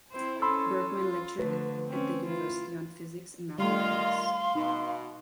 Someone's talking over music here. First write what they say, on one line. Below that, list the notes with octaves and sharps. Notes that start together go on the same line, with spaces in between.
Bergman lectured at the university on physics and mathematics.
C4 E4 C5
C#4 A4 B5 C6 E6
F4
D3 F3 A3 B4
C4 C#4
E4 F4
D#3 G3 A3 F4 F5 C6
B2 D#4